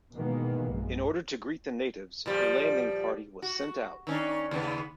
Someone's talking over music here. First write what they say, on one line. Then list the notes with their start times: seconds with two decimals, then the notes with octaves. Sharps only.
In order to greet the natives a landing party was sent out.
0.15 B2 D#3 E3 G#3 A#3 B3
0.68 A#1 F#2 G#3
2.26 A#2 F3 G3
3.42 F#4
4.07 D#3 C#4 D4
4.51 D#2 C#3 B3